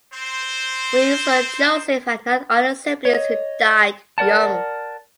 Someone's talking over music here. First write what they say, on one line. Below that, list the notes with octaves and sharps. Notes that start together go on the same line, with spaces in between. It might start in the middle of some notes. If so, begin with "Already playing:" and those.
Wenzel Joseph had nine other siblings who died young.
C4 C5
C#5 D#5
A#4 D5 F#5 A5